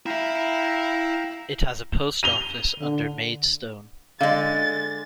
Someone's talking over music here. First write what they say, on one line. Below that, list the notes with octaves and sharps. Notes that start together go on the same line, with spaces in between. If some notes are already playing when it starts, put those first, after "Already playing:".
It has a post office under Maidstone.
E4 E5 F5 G5 A#5
D#7 F7 G7
D3
D3 G#3 F5 A6